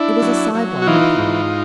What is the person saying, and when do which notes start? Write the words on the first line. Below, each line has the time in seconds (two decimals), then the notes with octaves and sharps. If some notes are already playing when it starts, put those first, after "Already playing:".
It was a sideline with Him.
Already playing: D4 E4
0.22 F#3
0.55 F#3
0.82 F#4
0.87 E3 D#4 F4
1.18 G#2